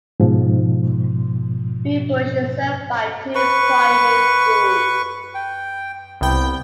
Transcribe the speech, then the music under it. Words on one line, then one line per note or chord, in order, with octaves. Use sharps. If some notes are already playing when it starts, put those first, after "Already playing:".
Bewbush is served by two Primary schools.
G#2 B2 F3
B4 C#6
G5
C2 B3 G5